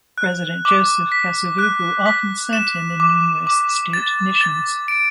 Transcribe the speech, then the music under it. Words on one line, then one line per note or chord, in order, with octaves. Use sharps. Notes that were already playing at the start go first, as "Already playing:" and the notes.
President Joseph Kasavubu often sent him in numerous state missions.
F#6
D6
B6
F#6
B6
E7
D6
D6
A6
A6
D7